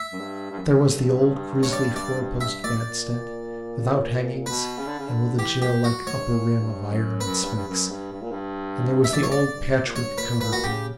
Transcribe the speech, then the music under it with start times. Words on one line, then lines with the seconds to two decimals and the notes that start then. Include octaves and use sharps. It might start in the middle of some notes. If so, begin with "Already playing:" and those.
There was the old grisly four-post bedstead, without hangings, and with a jail-like upper rim of iron and spikes; and there was the old patch-work counterpane.
Already playing: E5
0.12 F#2
0.20 G2
0.51 G2
0.59 F#2
0.72 F#2
0.82 G2
1.63 C#5
1.73 D5
1.96 D5
2.41 E5
2.64 A#2 D5
2.72 G2
2.81 A#2
4.46 B2 B4
4.78 C#3
4.87 D3
4.98 C#3
5.08 D3
5.38 E3 G4
5.61 A#2 G4
5.84 F#4
6.07 G2 C#5
6.29 A#2
6.49 A#2
6.60 G2
6.91 F#2
7.21 F#2 B4
7.43 G2
7.55 G2
7.67 F#2
7.90 G2
8.12 G2
8.22 A#2
8.31 G2
9.04 G2 E5
9.13 D5
9.23 C#5
9.32 D5
9.50 G2
9.83 A#2
9.96 G2 C#5
10.18 A#2 B4
10.41 A#2 B4
10.53 F#4
10.64 C#3 G4